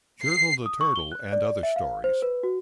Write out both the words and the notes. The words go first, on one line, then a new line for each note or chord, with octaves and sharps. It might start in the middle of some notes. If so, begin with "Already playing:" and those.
"Yertle the Turtle and Other Stories".
C7
D#6
C#6
G7
F#6
D5
E5
F5
C5
B4
F#4